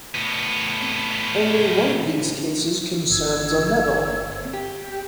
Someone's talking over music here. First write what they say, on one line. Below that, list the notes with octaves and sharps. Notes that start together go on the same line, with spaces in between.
Only one of these cases concerns a medal.
A2 B3
G1 E6 G#6
G4